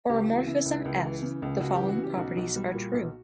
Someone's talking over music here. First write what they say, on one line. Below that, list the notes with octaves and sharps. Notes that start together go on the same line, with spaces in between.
For a morphism "f", the following properties are true.
C#2 G4
E3 F#4
C#3 E4
C#2
C#2
E3
C#3
C#2
C#2 F#4
G4
E3
F#4
C#3
G4
B1 F#4
B1
G3
A#2
B1